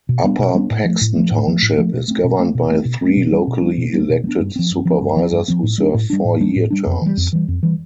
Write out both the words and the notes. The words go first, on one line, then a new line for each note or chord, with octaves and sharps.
Upper Paxton Township is governed by three locally elected supervisors who serve four-year terms.
B2
G3 B3 D4
B2
G3 B3 D4
A2
F3 A3
A2
F3 A3
A2
F3 A3
A2
F3 A3
B2
A3 C4
B2
A3 C4
B2
A3 C4
B2
A3 C4
B2
G3 B3 D4
B2
G3 B3 D4
B2
G3 B3 D4
B2
G3
B3 D4
G2
F3 C4
G2
F3 C4
G2
F3 C4
G2
F3 C4
A2
G3 D4
A2
G3 D4
A2
G3 D4
A2
G3 D4
F2
E3 G3
F2
E3 G3
F2
E3 G3